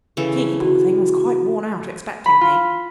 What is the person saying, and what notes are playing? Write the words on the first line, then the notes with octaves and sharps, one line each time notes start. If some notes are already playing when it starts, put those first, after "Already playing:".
She, poor thing, was quite worn out expecting me.
C#3 E3 A4
F#4
B5
F4